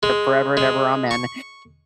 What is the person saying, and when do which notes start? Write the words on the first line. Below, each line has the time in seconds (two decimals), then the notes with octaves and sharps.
forever and ever, amen-
0.03 G#3
0.57 G#3
1.11 C#6